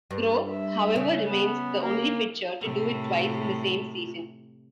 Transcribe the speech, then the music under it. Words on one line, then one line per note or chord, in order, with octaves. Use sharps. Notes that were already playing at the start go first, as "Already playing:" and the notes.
Grove, however, remains the only pitcher to do it twice in the same season.
G2
E5
C#3
B3
A#3
A2 C3